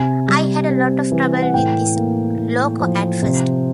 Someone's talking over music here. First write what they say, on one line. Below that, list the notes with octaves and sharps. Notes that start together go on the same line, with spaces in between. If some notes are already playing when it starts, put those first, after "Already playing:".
I had a lot of trouble with this loco at first.
Already playing: C3 G#5
G3
C4
E3
F#5
A2 G5
A#3
A2
F3
C3